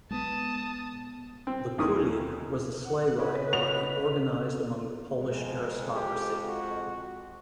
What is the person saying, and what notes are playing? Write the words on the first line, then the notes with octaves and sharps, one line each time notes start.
The kulig was a sleigh ride party organized among the Polish aristocracy.
G#3 A#3 B3 A5 D#6
C4
D#2 E3 C#4 D#4 G#4 D#6
F#5
C#3 B4
F#4 D#5 F#5 F7
F2 G#3
G4
F#4